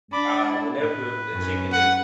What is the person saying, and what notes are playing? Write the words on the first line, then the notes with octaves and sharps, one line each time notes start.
uh, whenever the the chicken is
D4 B5 D6
E4
A2 B4
F#2 C#4
F#5